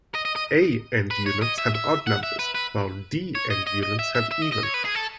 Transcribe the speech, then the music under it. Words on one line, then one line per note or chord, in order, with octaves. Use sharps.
A end units have odd numbers while D end units have even.
D#5
D#5
D#5
B4
C#5
D#5
E5
E5
F#5
E5
B4
B4
C#5
D#5
D#5
D#5
E5
E5
E5
D#5
D#5
C#5
B4
G#4
A4